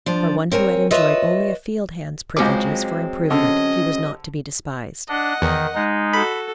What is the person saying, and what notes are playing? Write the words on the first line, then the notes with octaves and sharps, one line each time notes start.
For one who had enjoyed only a field hand's privileges for improvement, he was not to be despised.
F3 D4
C4 A#4 C#5 G#5
F4 B4 C#5 D#5 E5
C#2 F#3 G#3 C4 D6
D3 C#4 D#5
D4 D#5 F#5
E2 D#3
G#3 D#4
F#4 A4 B5